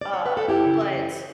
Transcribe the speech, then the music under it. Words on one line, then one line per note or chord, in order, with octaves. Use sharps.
Uh, but
D5
C#5
B4
A4
F#2 E4 G4
C#3
E3
F#2